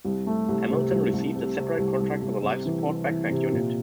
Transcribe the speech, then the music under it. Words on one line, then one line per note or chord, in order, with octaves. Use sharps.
Hamilton received a separate contract for the life support backpack unit.
C2
A3
C2
C3
C2
C2
C3
C3
C2
C2
C2
C3
E3
E3
E3
C3
A#2